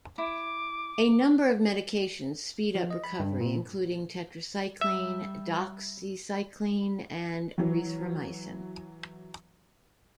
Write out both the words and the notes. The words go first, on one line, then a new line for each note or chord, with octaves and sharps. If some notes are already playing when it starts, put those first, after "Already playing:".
A number of medications speed up recovery including: tetracycline, doxycycline, and erythromycin.
E4 D6
F3
D#5
B5
G2
A#2
G3 E5
E3 F#3